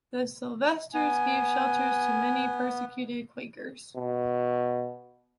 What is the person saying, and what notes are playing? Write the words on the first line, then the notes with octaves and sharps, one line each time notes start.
The Sylvesters gave shelter to many persecuted Quakers.
B3 G#5
B2